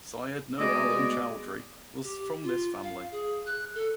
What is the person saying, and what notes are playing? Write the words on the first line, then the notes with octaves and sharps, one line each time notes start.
Syed Nur Alam Chowdhury was from this family.
B2 G#3 A3 D5 D#5 D6
B3
G4
F4
F5
G#4
F#6
A4